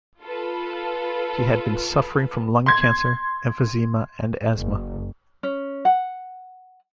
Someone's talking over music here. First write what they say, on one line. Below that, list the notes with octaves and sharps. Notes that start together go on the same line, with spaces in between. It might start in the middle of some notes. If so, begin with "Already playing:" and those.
He had been suffering from lung cancer, emphysema and asthma.
F4 A4 B4
C6 G#6
F#1
C#4
F#5